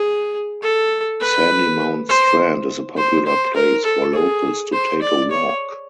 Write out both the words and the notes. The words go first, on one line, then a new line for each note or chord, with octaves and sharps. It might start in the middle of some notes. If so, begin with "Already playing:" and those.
Sandymount Strand is a popular place for locals to take a walk.
Already playing: G#4
A4
B4
C5
C5
C5
A#4
A4
G#4
C5
D5
C#5